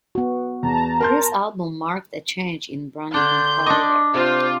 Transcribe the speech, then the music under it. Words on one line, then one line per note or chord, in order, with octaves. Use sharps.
This album marked a change in Branigan's career.
B3 F#4
E2 A5 A#5
A#4 C6 G6
D3 D4 C6 G6
D4 D#5 D6
C3 F4 C5